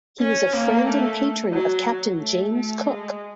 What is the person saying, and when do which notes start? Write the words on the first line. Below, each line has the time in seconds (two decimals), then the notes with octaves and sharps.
He was a friend and patron of Captain James Cook.
0.20 C#4
0.53 A#3
0.87 A3
1.53 F#3
2.20 A3
2.53 A3
2.86 G#3